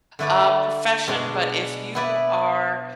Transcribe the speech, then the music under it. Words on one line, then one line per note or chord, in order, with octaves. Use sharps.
uh, profession, but if you are,
D3 A3 E4 B4 D5
B2 G#3 D4
B3 E4 B4 D5